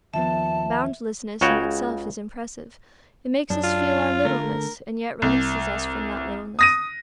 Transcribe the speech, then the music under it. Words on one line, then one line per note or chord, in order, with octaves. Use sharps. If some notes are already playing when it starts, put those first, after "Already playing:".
Boundlessness in itself is impressive; it makes us feel our littleness, and yet releases us from that littleness.
D#2 F3 B3 E5 A5
C#2 C#3 F#4 C#5 G5
F#2 D4
F4
D3 A3 A#4
C2
D#6 A#6 D#7